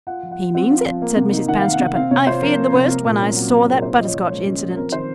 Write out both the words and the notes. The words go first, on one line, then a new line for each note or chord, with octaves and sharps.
"He means it," said Mrs. Panstreppon; "I feared the worst when I saw that butterscotch incident."
F4 F#5
F3
F#5
F3
C4 F#5
F4
F3
A#3
C3
D#4
D#3 F#5
A#3 F5
F#5
C3
C4 F5
C3 C#5
F4 C5
F3 A#4
C4
C3
A#3 A#4
A#2
C#4
F#3
A#3
A#2 G#4
A#4
C#4 C5
F3 D#5
C#5
F3
G#3 C#5
C#4
F3
C4 A#4
D#3 C5